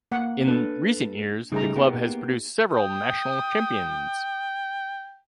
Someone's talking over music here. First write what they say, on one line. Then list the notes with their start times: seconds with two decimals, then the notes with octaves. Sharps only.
In recent years the club has produced several national champions.
0.12 A#3 F#5
0.48 D4 A4 B4
1.52 C#3 G3 A3 D#4 G#4 A#5
1.76 A#3 B3 G4
2.73 G5 D#6